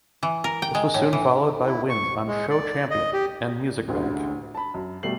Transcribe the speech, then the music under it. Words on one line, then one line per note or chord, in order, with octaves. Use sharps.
This was soon followed by wins on "Show Champion" and "Music Bank".
E3
A#4
G5
G#3
A2
E3
E4
C#6
G#3
D5
D#5
G4
A1 D2 D3 G#3
A5 B5
F#2
B2 G3 A3 C7 F#7